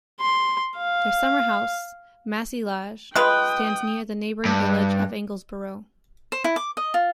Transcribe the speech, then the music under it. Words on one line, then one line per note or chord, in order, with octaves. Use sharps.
Their Summer house, Massy Lodge, stands near the neighbouring village of Anglesborough.
C6
F5
G#3 F4 B4 G5 D#6 F#6
G2
C5
E4
D6
D#5
F4